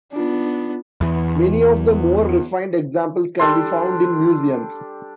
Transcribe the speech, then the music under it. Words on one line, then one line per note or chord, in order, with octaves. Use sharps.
Many of the more refined examples can be found in museums.
B3 D4 D#4 F4
E2 E3
G3 D4 A4 C6